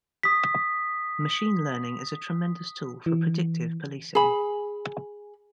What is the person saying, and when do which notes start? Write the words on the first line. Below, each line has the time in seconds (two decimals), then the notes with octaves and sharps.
Machine learning is a tremendous tool for predictive policing.
0.23 D#6 B6
3.06 E3
4.15 G#4 B5